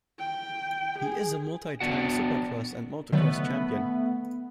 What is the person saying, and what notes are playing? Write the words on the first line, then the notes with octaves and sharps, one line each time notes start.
He is a multi-time supercross and motocross champion.
G5
G#4
B3 D4 F#4 F#5
D3 D#3 F#3 A3 B3